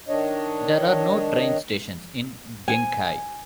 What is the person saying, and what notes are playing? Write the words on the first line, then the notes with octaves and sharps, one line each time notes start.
There are no train stations in Genkai.
D#3 D4 C#5 D#5
G#5